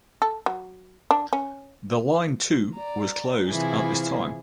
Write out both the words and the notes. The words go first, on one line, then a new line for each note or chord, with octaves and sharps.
The line to was closed at this time.
A4
F#3
D4
C#4
D5 A#5
C3 E3 F3 E4 G#4